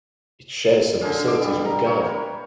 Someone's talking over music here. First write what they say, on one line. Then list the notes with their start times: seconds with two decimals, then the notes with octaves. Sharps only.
It shares some facilities with Gov.
1.01 D3 D4 G#4 F5
1.25 B2 F5 D6
1.41 G3
1.65 A#5
1.84 A#3 C#5 G5
2.09 B4